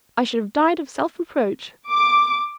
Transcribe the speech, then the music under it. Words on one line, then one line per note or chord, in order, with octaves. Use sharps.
I should have died of self-reproach.
D6